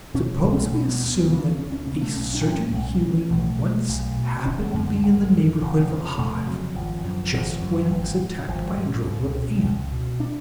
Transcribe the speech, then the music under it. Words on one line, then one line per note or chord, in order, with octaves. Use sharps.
Suppose we assume that a certain human once happened to be in the neighborhood of a hive, just when it was attacked by a drove of ants.
B2 C#4
B1 A3
A3
B2
B3
D2 B3
B3
C#3
D4
B3
D2 C#4
C#4
C#3 B3
A3
B1 C#4
D4
A2
C#4
B1
A2
B1 A3
B2
B1
B2
G#1 C#4
F#2 D3
G#1
F#2 D3
F1
F2 C#3
F1 A3
F2 C#3 F#3
G#1 F3
F#2 D3 F3
G#1
F#2 D3
G#1
G#2
G#1 F3
F#3
G#2
C#4
C#2
B2
C#2
B2
D4